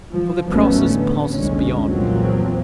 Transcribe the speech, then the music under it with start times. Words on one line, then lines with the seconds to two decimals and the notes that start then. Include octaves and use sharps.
For the process passes beyond.
0.11 F3
0.49 A1 D#2 F#3 A3 B3 C#4
0.81 D3 B3
1.29 F1 C2 D3 G#3 C#4
1.85 E2 A#2 F3 F#3 A#3 C4